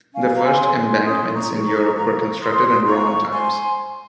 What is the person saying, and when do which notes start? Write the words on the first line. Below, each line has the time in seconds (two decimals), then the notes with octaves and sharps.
The first embankments in Europe were constructed in Roman times.
0.14 C#4 F5 G#5
0.35 A#5
0.44 G#5 C6
0.59 G#4 C#5
0.74 G#5 C6
1.04 C#4 C6 D#6
1.34 A#5 C#6
1.50 G#4 C#5
1.65 A#5 C#6
1.95 F4 A#5 C#6
2.40 C5 C6 D#6
2.86 F4 A#5 C#6
3.31 C5 G#5 C6